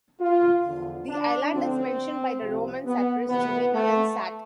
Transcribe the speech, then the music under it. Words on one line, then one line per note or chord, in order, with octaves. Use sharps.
The island is mentioned by the Roman satirist, Juvenal, in Sat.
F4
E2 D3 F3
D4
D2 D3 F3 C4
C2 C3 F3
B3
D2 C3 E3 B3
A3